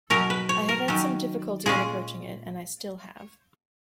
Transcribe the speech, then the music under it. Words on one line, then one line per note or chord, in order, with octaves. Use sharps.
I have had some difficulty in approaching it, and I still have.
B2 F#3 C#4 A#4
B4
C#5
A#4
D#3 F#3 C#4
A#2 G#3 C#4 G#4